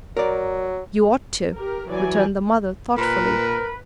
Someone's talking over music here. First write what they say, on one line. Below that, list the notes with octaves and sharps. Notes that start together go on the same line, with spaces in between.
"You ought to," returned the mother, thoughtfully.
F#3 A#4 D5
G4 A#4
E3 F#3 D5 G#5
A#2 A#4 B4